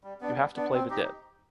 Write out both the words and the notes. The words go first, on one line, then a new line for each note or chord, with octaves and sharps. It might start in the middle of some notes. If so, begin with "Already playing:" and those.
You have to play the dead.
G3
B3 D4
G3
B3 D4
C4
D#4 G4